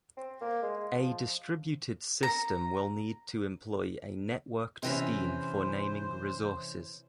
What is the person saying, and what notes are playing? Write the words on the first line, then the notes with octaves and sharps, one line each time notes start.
A distributed system will need to employ a networked scheme for naming resources.
C4
A#3
G#3
F3
A#5
C3 E3 C#4 C5